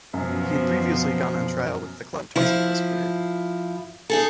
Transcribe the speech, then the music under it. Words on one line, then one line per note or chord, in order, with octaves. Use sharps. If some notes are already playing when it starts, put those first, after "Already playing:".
He had previously gone on trial with the club twice in his career.
F#2 B2 F3
F3 E4
D#4 G#4 A4